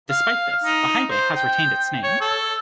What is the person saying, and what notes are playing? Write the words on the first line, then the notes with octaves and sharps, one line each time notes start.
Despite this, the highway has retained its name.
F5
D#4
C5
G5
C#5
A4